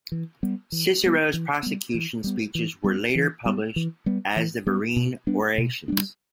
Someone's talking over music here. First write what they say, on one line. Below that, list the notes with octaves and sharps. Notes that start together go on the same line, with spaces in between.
Cicero's prosecution speeches were later published as the "Verrine Orations".
E3
G3 B3
E3
G3 B3
E3
G3 B3
E3
G3 B3
E3
G3 B3
E3
G3 B3
E3
G3 B3
E3
G3 B3
B2
G3 B3 D4
B2
G3 B3 D4